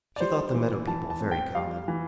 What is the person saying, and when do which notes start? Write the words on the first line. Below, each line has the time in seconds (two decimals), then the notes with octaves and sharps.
She thought the meadow people very common.
0.16 D5
0.20 G3 C5
0.54 E3
0.87 E3 A5
1.10 A5
1.20 C4
1.31 G5
1.55 G3 F5
1.88 E3